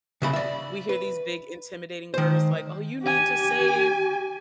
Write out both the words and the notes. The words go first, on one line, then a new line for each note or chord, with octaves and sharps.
we hear these big intimidating words like, "Oh, you need to save
C#3 E5 B5
D5 E5
B4
D#3 C5
G4 G#5